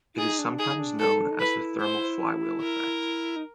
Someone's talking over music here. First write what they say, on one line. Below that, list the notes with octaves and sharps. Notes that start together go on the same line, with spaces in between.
It is sometimes known as the thermal flywheel effect.
E4
D#4 G#4
D4
D#4 G#4
D4
D#4 A4
D4
D#4
E4 B4
C5
A#4
D#4